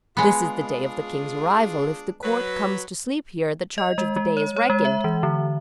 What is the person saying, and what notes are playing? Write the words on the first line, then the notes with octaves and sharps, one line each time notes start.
This is the day of the king's arrival; if the court comes to sleep here, the charge of the day is reckoned.
G#3 B3 D4 F4 G#4
F#3 B4
D#5
G#3
G#3
C#5
C#5
G#3
E5
E3
D3